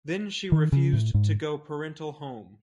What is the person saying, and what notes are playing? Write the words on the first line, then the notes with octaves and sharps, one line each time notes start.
Then she refused to go parental home.
D#3
C#3
A2
G#2